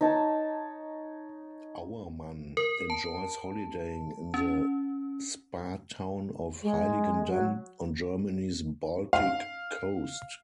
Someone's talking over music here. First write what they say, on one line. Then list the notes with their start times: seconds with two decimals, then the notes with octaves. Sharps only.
Auermann enjoys holidaying in the spa town of Heiligendamm, on Germany's Baltic coast.
0.01 D#4 C#5 A5
2.57 A#4
2.90 A5
4.34 C#4
6.62 G#3
7.27 F#3
9.13 F5